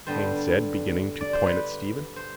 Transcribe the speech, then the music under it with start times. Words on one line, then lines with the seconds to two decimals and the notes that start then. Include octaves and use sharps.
Haines said, beginning to point at Stephen.
0.07 G2 D3 G3 B3 C5
1.21 D5
1.33 C5
1.46 B4
2.16 C5